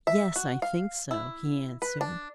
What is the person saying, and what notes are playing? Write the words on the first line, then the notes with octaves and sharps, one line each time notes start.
"Yes, I think so," he answered.
E5
F#4
F5
E4
B4
D4